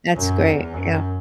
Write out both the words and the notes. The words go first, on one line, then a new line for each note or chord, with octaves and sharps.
That's great, yeah.
F#2
E2
F#2